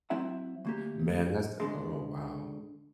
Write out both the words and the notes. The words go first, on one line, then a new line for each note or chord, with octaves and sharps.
Man, that's oh, wow.
F#3 C4 E4 E5 F#5
D2 A#3 G4
G#2 B2 D3 G#3